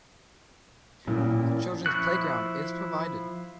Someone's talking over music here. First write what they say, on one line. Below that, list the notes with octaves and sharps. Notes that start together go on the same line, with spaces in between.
A children's playground is provided.
A1 A#2
F3 E4 C#6 F#6